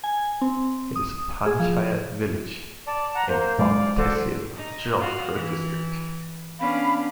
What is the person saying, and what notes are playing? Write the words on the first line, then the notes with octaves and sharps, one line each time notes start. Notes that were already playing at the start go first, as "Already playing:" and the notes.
It is a panchayat village in Bap tehsil of Jodhpur District.
G#5
C4
D#6
G#4
F3
D5 A5
F#5 A#5
A#3 C5
A2 F#3 G#3 D5 F5
F#4 A4 C5 D5
D#4
F4 F#4
E3
B3 C#4 D4 F5 B5